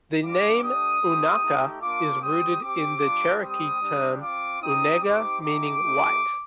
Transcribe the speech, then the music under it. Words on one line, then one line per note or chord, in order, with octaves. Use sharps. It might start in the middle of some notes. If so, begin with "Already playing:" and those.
The name "unaka" is rooted in the Cherokee term "unega", meaning "white".
G3 D4 F4 D6
A3 D4 G4 D#6
A3 C4 G4
A3 D#4 G4
A#3 D4 F4 D6
G3 C4 G4 D#6
C4 G4 D6
G3 D4 F4
G3 C4 G4 D#6
G3 D4 G4
C4 F4 D6
C4 D#4 G4 D#6
C4 D#4 G4 D6
A3 D#4 G4 D6
A3 D#4 G4